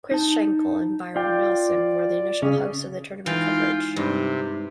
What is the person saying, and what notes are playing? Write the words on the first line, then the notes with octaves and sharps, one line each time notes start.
Chris Schenkel and Byron Nelson were the initial hosts of the tournament coverage.
D#4 A5
F4 D5 G5
C#3 C#4 G#4
E3 G#3 D#4 F4 F5 G5
G2 C3